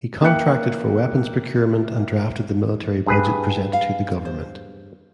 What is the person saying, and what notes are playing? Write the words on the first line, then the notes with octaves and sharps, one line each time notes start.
He contracted for weapons procurement and drafted the military budget presented to the government.
A#3 E5 G5 F#6 C#7
G2 G#4 B4
F5
C5